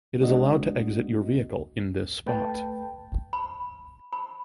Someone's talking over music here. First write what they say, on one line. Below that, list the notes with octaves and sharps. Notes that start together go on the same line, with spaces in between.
It is allowed to exit your vehicle in this spot.
G#3 C4 D4 F#4 D#5
A3 B4 G5 A5
B5
B5